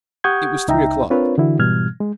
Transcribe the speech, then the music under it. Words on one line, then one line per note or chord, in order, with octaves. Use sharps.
It was three o'clock.
G4 F#5 C#6 D#6 G6 G#6
C#2 D#4 E5 G5 A#5
C4 D4 F4 A#4 B4 C#5
D3 E3 E4 F#4
G#2 B2 E3 G3 F6 G#6
G#3